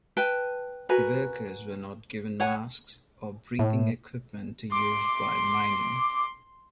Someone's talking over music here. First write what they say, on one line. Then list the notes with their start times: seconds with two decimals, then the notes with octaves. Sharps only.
The workers were not given masks or breathing equipment to use while mining.
0.17 B4 G5 A5
0.89 F#4 A#4 B4 G#5
2.40 C#5 F#5 G#5
3.59 A2
4.72 C6 D6